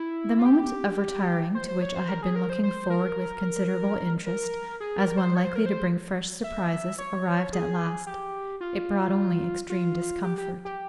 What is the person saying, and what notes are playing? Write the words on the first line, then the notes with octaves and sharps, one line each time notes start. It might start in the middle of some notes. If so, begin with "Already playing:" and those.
The moment of retiring, to which I had been looking forward with considerable interest as one likely to bring fresh surprises, arrived at last: it brought only extreme discomfort.
Already playing: E4
F4
G4
C5
C5
C#5
C5
A#4
G#4
A#4
C5
C5
A#4
A#4
G#4
A#4
C5
C#5
C5
A#4
C5
E5
C#5
G#4
G4
F4
F4
G4
G4
G4